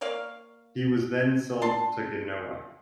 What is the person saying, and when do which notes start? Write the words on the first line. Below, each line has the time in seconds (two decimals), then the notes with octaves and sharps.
He was then sold to Genoa.
0.01 A#3 C#5 D5 F5
1.62 D4 A5 C6